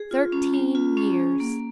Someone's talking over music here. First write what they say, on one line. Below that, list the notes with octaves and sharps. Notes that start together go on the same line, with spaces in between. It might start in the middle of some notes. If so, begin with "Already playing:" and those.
Thirteen years.
Already playing: G#4
F4
C#4
C#4
F4
C#4
G#4
A#3